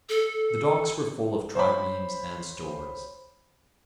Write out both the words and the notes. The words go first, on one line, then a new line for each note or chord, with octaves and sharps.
The docks were full of triremes and stores.
A4
C5 C#5 B5